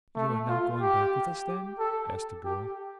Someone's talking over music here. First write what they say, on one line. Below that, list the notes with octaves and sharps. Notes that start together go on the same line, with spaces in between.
"You are not going back with us, then?" asked the girl.
A3
F4
G4
G4
A4
G4